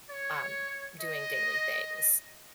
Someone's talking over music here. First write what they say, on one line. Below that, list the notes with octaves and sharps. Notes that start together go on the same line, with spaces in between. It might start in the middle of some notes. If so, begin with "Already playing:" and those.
um, doing daily things.
C#5
D#5